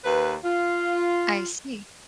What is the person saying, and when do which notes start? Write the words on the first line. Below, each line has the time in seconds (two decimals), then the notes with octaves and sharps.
I see.
0.03 D#2 B4
0.42 F4